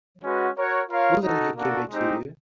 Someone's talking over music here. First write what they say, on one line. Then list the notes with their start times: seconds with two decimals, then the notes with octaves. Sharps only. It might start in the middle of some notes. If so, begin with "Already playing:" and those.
Wouldn't he give it to you?
0.22 G#3 C#4 F#4 B4
0.56 F#4 A#4 C#5 F#5
0.89 F4 A#4 C#5 F5
1.22 D#4 F#4 A4
1.56 A#3 D4 F#4 A4
1.89 G#3 C4 D#4 G4